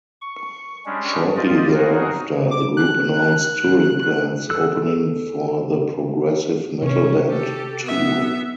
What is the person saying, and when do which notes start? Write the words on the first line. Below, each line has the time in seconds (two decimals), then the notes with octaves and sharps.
Shortly thereafter, the group announced touring plans opening for the progressive metal band Tool.
0.21 C#6
0.86 G3 G#3 C#4 D4
1.36 F4 G4 D5 D#5
1.74 D#4 F#4 G#4 A#4
2.51 D6
2.77 F#6
4.50 A4 E6 F#6
6.83 C3 C#4
7.28 G4 A4
7.83 B3 E5